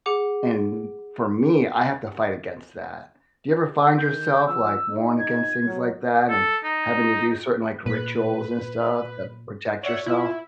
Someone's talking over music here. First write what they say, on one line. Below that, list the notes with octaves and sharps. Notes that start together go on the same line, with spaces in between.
And for me, I have to fight against that. Do you ever find yourself, like, warned against things like that and having to do certain, like, rituals and stuff to protect yourself?
G#4 F#5 D6
D#3 G6
F3 E6
D#4
G#6
F#3
A4
D#4
A#2 B4
C#5 D5 E5 F#5
E4 F4